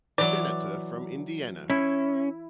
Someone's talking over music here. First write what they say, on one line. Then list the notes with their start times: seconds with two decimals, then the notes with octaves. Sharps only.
Senator from Indiana.
0.18 E3 F#3 D5
1.70 C#4 E4